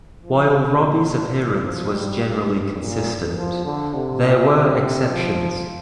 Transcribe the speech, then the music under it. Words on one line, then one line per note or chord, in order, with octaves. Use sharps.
While Robby's appearance was generally consistent, there were exceptions.
F3
C3
A#2
A#2
F3
G3
G2
A#2
F3
D3
C3
A#2
C3
C3
F3